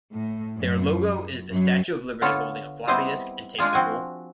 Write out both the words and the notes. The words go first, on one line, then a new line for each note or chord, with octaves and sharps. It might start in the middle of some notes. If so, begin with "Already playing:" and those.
Their logo is the Statue of Liberty holding a floppy disk and tape spool.
A2
F#2
F#2
D3 B3 F4 A4 C#5
G3 B3 C4 E4 C5 D#5
G#3 D4 F4 G#4
F3 C4 F#4 G#5